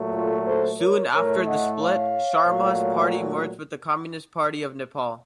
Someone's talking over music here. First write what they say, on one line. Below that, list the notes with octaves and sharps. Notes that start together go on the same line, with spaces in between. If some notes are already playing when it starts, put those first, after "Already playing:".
Soon after the split Sharma's party merged with the Communist Party of Nepal.
Already playing: A#2 F#3 A3
F4 A4
A4 C5
A#4 C#5
A2 A3 A#4 C#5
D#5 F#5
C#5 F5
A#2 F#3 A3